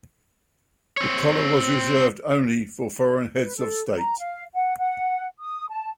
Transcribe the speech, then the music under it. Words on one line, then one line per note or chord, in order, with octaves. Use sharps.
The Collar was reserved only for foreign heads of state.
C4 C#5
B4
A4
A#5
F5
F#5
F#5
D#6
A5